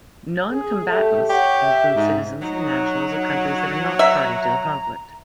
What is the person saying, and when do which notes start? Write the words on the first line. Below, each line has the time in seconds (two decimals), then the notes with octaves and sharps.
"Non-combatants" include citizens and nationals of countries that are not party to the conflict.
0.51 G#4
0.89 A3 G4
1.30 G4 C#5 F#5
1.60 E5
1.95 G#2
2.41 F#3 D#4
3.99 E5 A#5